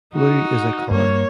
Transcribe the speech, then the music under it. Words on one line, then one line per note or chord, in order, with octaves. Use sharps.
Blue is a colour.
D#4 F#4
G2 G3 A#3 C#5